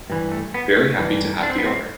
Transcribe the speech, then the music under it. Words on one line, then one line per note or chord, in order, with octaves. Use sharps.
Very happy to have the honour!
G2 E3
A3
B3
A3
G2 E3
D4
C4
B3
C4